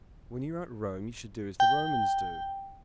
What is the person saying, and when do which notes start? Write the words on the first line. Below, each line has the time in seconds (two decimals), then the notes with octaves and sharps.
When you are at Rome you should do as the Romans do.
1.60 G5